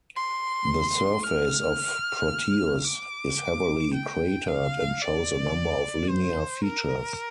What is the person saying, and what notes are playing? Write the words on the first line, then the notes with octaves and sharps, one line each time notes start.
The surface of Proteus is heavily cratered and shows a number of linear features.
C6
F6
D6
G5
F5
D5
C5
A#4